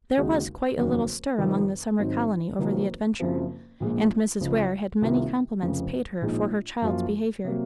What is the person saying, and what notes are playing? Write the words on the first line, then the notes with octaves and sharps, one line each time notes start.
There was quite a little stir among the summer colony over the adventure, and Mrs. Ware had many compliments paid her for her child's behavior.
D#2 C#3 G#3 D#4 F#4
F1 D#2 C#3 F#3 A#3
F1 F2 D#3
G#1 G#2 F#3 C4
F1 F2 D#3 F#3 A#3
F#1 F#2 C#3 F3 C4
A#1 A#2 G#3
C#2 C#3 F3
C2 C3 D#3 A#3 F4
F1 F2 C#3
A#1 A#2 G#3 D#4
F#2 F3 A#3 F4
C3 F#3 A#3